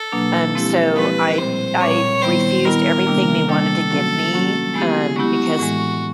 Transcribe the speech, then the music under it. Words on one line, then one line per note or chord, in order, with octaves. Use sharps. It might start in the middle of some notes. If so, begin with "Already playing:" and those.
um, so I I refused everything they wanted to give me, um, because
Already playing: A4
B2 F#3 A#3 D4
F3 G#3 C4 E4 G4
F3 G#3 C4 E4 G4 B4
A#2 G3 C4 C5
A#2 G3 C4 C#5
D#3 G3 B3 E4 C5
D#3 G3 B3 E4 A#4
C3 D#3 G3 A#3 D4
C3 D#3 G3 A#3 D4 A4
F#3 A#3 C#4 F#4
F#3 A#3 C#4 F#4
G#3 B3 E4 G4 G#4
G#3 B3 E4 F#4 G4
A2 E3 G#3